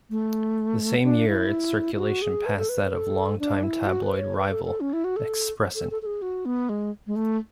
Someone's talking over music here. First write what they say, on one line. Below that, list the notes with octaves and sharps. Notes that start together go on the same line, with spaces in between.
The same year its circulation passed that of long-time tabloid rival "Expressen".
A3
D4
E4
E4
F#4
G#4
B4
A4
B4
A4
D4
E4
F#4
B4
C#5
B4
A4
A4
C#4
E4
F#4
A4
A4
A4
A4
G#4
F#4
B3
G#3
G#3
A3